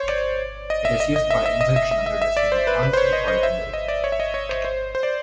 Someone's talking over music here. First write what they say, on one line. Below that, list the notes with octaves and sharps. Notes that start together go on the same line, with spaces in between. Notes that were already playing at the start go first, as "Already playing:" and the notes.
It is used by injection under the skin once to twice a day.
Already playing: C5 C#5
D5
D#5
E5
D#5
D#5
E5
E5
D#5
E5
E5
E5
E5
D5
C5
B4
B4
C5
C#5
D#5
D#5
E5
D#5
D5
C#5
E5
D#5
C#5
C5
C5
C5
D5